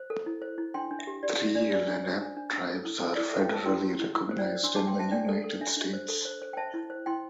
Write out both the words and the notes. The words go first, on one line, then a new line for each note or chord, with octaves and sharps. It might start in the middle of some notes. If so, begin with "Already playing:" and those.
Three Lenape tribes are federally recognized in the United States.
Already playing: C5
A4
E4
C5
E4
D4 G5 C6
D4
E5
G4
G4 D5
G4
E5
D4 D5
D4 D5
D4
C5
D4
D4
D4
A4
E4
A4
E4 D5
A4 E5
G5
C5 A5
E4 G5 C6
G4
E4
E4
C5
D5 G5
C5
D4 C6 E6
A5 D6
D4
G5 C6
C5 E5 A5
D4 D5 G5
A4
A4
D4 E5
D4
C5
A4
C5
C5
G5
C5 E5 A5
E4
C5
E4 G5 C6